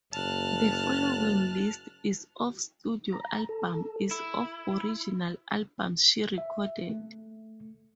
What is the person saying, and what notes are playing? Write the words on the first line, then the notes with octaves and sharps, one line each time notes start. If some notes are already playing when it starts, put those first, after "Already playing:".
The following list is of studio albums is of original albums she recorded.
F#1 A5 F6 F#6
A#5
A4
E4
E5
A3